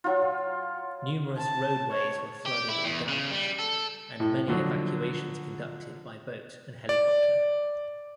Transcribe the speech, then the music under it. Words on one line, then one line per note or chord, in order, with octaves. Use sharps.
Numerous roadways were flooded or damaged and many evacuations conducted by boat and helicopter.
F#3 F4
A5
C#5
G4
E4
E2
C#3
G3
A4
A2
D3 F3 F#3
D5